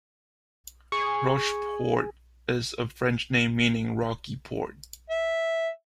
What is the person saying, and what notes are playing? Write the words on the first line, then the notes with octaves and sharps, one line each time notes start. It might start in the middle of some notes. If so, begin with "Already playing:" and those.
Rocheport is a French name meaning "rocky port".
G#4 C#6
E5